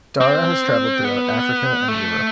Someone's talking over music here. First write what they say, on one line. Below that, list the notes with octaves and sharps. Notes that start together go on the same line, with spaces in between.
Dara has traveled throughout Africa and Europe.
C4
B3
A3